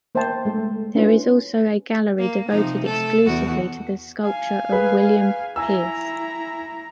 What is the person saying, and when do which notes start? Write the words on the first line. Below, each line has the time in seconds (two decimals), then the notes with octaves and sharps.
There is also a gallery devoted exclusively to the sculpture of William Pearse.
0.15 A#3 C5 E5 G5 A5
0.45 G#3 A3 A4
0.95 C#4 D4 E4 F4 B4
2.18 A#3
2.49 C3 F3 D#4
2.85 A3 A4
3.26 E2 F#4
4.24 F5 G#5
4.71 G#4 B4
5.56 E4 G#5 A#5 E6